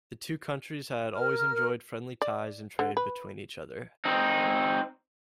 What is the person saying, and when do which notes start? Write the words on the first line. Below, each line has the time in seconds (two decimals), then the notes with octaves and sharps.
The two countries had always enjoyed friendly ties and trade between each other.
1.15 A#4 F6
2.22 D5
2.79 D3
2.97 B4
4.05 C4 D#4